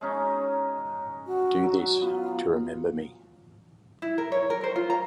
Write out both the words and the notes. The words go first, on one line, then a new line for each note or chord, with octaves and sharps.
Do this to remember me.
G#3 C#4 D#4 C#5
F#4
F#3
B3 F4
E4
A#4
C#5
A#4
C5
F4
A#5